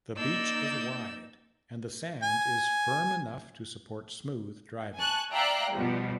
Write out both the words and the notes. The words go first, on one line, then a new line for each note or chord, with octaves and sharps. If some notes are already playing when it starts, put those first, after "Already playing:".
The beach is wide and the sand is firm enough to support smooth driving.
A#3 D#4 D5 E6 G6
G#5
G#5 A5 C#6 F#6
D5 E5 F5 G5 A#5 F#6
B2 F3 G3